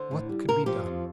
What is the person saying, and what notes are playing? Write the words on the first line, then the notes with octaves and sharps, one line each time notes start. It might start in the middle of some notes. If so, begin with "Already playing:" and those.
What could be done?
Already playing: D3 C5
A2
G3
A#2 A#4
F3 G4
F2